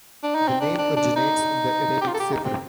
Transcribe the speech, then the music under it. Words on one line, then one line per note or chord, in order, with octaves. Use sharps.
The name originates in the Arabic cifr.
D4
D#4
C4
D4
D4
D4
D#4
G4
F4
A4
G4
D#4
C4